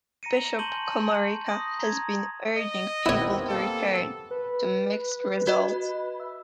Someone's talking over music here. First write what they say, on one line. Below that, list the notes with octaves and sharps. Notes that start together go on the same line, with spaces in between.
Bishop Komarica has been urging people to return, to mixed results.
A#5 A#6 C#7 D#7
A5 C6 C#6 G6 D#7 F#7
G#5
A5 D#7
D#6 A#6
A#5 G#6
D#5
D#3 B3 C4 E4 G4 C#5
A#3 A4
B4
F#4 D#5
E5